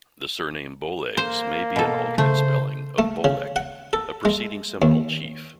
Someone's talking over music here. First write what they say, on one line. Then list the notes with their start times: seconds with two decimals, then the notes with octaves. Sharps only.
The surname "Bowlegs" may be an alternate spelling of "Bolek", a preceding Seminole chief.
1.17 A#3 C5
1.76 B2 A4
2.18 C#3 A3 C5
2.98 A3
3.24 C#3
3.56 F#5
3.93 A4
4.25 G#3
4.82 D#2